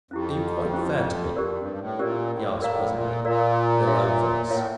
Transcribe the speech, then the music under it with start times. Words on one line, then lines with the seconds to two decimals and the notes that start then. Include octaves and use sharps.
"Are you quite fair to me?" he asked presently, in a low voice.
0.11 F2 C#4 E4 G4
0.73 C#4 E4 G4
1.36 F2 C#4 G4 A#4 D5
1.57 G2
1.78 A2
1.99 A#2 C#4 G4 A#4 D5
2.30 A2
2.62 A2 A#4 D5 F5 A#5
2.92 A#2
3.24 A#2 A#4 D5 F5 A#5
3.87 F4 C#5 E5
4.49 A2 F4 C#5 E5